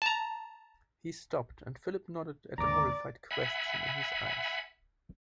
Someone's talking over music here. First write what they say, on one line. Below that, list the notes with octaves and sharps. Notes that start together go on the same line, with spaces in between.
He stopped, and Philip nodded at the horrified question in his eyes.
A5 A#5
D#2 G#2 D3 D5 A#5 D6
E5 F#5 G#5 B5